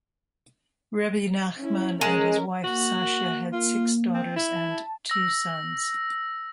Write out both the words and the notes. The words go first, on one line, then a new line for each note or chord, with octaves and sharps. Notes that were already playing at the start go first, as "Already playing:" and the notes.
Rebbe Nachman and his wife Sashia had six daughters and two sons.
C#4 E4
G#3 C#4 A#4
A#3 F#4
F4
C4
E4
A5
E6 A#6